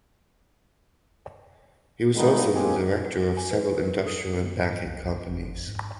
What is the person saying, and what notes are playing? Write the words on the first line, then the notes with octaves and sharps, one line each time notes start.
He was also the director of several industrial and banking companies.
G2 D3 D#3 G#3 B3 D#4
F#3 G#3 A#3 C4 G4 G#4
F#5
G#5
B4
A#4
A4
G#2
C2
C2
G1
G#1
G#2